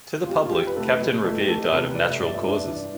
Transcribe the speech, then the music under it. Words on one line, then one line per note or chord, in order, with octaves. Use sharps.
To the public, Captain Revere died of natural causes.
F4
F2 G4
F4
E3 G4
B4
C3 A3 A4
F2
F2 A3 A4
G4
E3 A3 A4
A4
C3 B3 B4
F2 D5
E5
G2 D5
E5
G2 D4 D5
E3